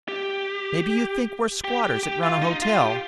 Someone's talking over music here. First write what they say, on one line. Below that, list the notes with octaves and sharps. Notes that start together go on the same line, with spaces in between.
"Maybe you think we're squatters that run a hotel?"
G4
G4
G4
G4
F4
D#4
F4
G4